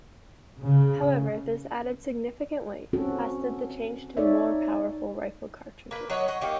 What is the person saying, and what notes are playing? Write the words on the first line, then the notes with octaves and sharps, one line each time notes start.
However, this added significant weight, as did the change to more powerful rifle cartridges.
C#3
C4 C#4 F#4 A4
D#4 A4 C#5 D5 E5
A#3 B4
F#3 C#5 D#5 F#5
D#5 F#5
D#3 A#3 D#4 G4